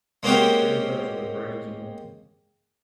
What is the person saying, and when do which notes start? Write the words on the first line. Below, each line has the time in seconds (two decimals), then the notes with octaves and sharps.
I think it's better for their brains, you know?
0.23 G#3 A#3 C4 C#4 F#4 G4